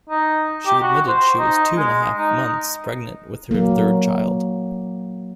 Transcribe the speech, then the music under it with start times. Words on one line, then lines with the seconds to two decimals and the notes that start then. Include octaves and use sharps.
She admitted she was two-and-a-half months pregnant with her third child.
0.09 D#4
0.67 G4
0.83 F#4
1.08 C5
1.39 D#4
1.77 G#3
2.18 D#4
3.51 F#3 A#3